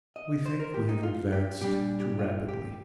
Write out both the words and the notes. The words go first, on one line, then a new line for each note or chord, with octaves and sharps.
We think we have advanced too rapidly.
D#5
C5
A#4
G4
D#4
F4
G4
A#2 G3 D4 G4
G4
F4
G4